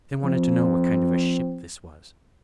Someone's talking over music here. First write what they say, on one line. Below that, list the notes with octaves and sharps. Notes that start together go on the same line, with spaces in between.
They wanted to know what kind of a ship this was.
F3 C4